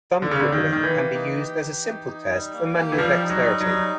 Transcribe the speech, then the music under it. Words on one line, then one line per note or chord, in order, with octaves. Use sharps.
Thumb twiddling can be used as a simple test for manual dexterity!?
D3 A#3
C#3
D3
G3
D#3
D#3 G4
E3
A#3
D#4
G4
G4
D#4
D#4
G3
A#3
G4
E3
F3 G3
D#4
F#3
G3
F#3
D#4